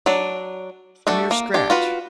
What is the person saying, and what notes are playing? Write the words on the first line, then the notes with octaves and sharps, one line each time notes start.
"A mere scratch."
F#3 D4
A3 D4 F#4 A4
A#3
D4 G4
F4 F#4 B4